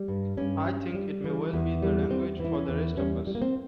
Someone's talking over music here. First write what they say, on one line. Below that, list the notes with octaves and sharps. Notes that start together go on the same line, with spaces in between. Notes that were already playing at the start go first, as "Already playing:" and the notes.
I think it may well be the language for the rest of us.
Already playing: G3
G2
G2 C#4
G3
G3
E3
E2
G3
E2 C4
E3 E4
C#4
E2
G3 C#4
G3
A#3
C4